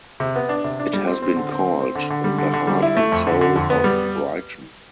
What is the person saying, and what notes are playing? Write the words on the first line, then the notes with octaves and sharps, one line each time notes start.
It has been called "the heart and soul of Brighton".
C3
B3
D4
C3
D4
G3
C4
C4
D3
C4
C4
C4
D3
D3
G3
D3
D3
G3
E4
A3
F2
D3
D3
F2
B3
G3